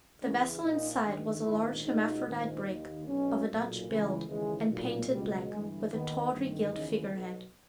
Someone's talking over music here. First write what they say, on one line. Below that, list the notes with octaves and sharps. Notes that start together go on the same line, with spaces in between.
The vessel in sight was a large hermaphrodite brig, of a Dutch build, and painted black, with a tawdry gilt figure-head.
E2 C#3 E3 C#4
A#1 A#2 D#4
G1 G2 D#3
A#1 G#2 D#3 E4
C#2 B2 D#4
A#1 G#2 D#3
D#2 D#3
B1 B2 C#4
B1 A#2
C#2 C#3 E3
D#2 C#3 E3 G#3
B1 A#2
C#2 B2 G3
G1 G2 E3 G#3
D#2 D#3 B3
G1 G2 D#3
D#2 C#3 E3 D#4
B1 B2